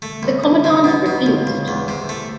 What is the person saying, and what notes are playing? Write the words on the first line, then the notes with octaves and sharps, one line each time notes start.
The commandant refused.
A3
C2
C2
C3
B2
B2
C#2
C#2
E2
C3
A3